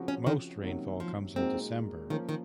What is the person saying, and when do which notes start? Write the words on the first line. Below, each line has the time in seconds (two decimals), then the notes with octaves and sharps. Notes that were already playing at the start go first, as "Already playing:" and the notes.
The most rainfall comes in December.
Already playing: C#3 F3 C4 F#4
0.08 C#4
0.26 D#3
0.63 C3 D#3 F#3 A#3 C#4
1.00 F3
1.36 A#2 G#3 C4 D#4 F#4 A#4
2.10 D#3 F3 A#3 C#4
2.29 D#3